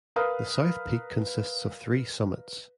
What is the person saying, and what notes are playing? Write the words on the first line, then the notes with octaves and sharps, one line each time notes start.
The South peak consists of three summits.
A#4 B4 F5 D#6 F6